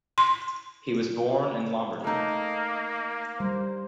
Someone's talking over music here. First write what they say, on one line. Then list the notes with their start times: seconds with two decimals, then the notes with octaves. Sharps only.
He was born in Lombardy.
0.18 C6
2.04 A3 A#3 D#4 D#5
3.40 G3 C5